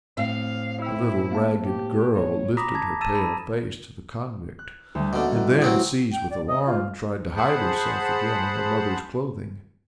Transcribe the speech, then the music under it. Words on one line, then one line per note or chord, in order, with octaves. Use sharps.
A little ragged girl lifted her pale face to the convict, and then, seized with alarm, tried to hide herself again in her mother's clothing.
A2 C4 F5
E4 G5 E6
A#3 F5 A5
G4
C#5
A#5 B5 D6 D#6 A#6 B6
A5 G#6
A5 E6 A6 D#7 E7
A5 B5
F#6
D2 G3
B2 D3 A#3 B3 C#4
A1 E4 F#6
F#3 C4 G4 G#4 F#5
G5
D5
D#5
F4
G#4 C5 F#5 A5 B5